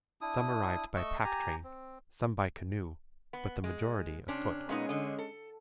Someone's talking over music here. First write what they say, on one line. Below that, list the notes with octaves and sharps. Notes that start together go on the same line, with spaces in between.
Some arrived by pack-train, some by canoe, but the majority afoot.
D4 E4 D#6
A3 D#5 C#6 E6
G4 G#5 A#5
C4
B3
G#3
C3 C#4 D4
A#2 G#3 B3 C#4 D#4
D3 D#5
A4